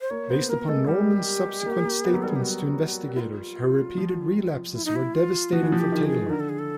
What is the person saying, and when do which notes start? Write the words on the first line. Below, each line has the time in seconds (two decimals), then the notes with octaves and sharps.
Based upon Normand's subsequent statements to investigators, her repeated relapses were devastating for Taylor.
0.01 C5
0.10 A#3 C#5
0.30 B3 C5
0.49 A#3 A#4
0.68 G#3 A4
0.87 G3 G4
1.66 A#3
1.85 A#3
2.05 B3
2.14 F#3
2.22 G3 A4
2.29 G#4
2.36 G4
2.43 F#4
3.15 E4
3.20 F4
3.98 F3
4.75 E4
4.85 D#4
4.96 E4
5.14 F4
5.52 F3 F#4
5.63 E3
5.72 F3
5.79 G4
5.92 D#3
6.05 G#4
6.25 D#3
6.30 D3 A#4
6.40 A4
6.49 G#4
6.59 A4